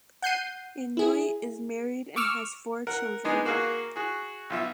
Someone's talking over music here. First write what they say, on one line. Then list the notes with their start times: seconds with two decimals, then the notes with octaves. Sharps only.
Inouye is married and has four children.
0.22 F#5 G6 C7 D#7
0.97 E4 G#4
2.16 C#6 D6 E6 F6
2.87 A#4 F#5
3.25 G#3 B3 D4 D#4 G#4
3.45 A#3 F#4 G#4 A#4 F5 G#5
3.96 F#4 G#4
4.50 B1 F4 E5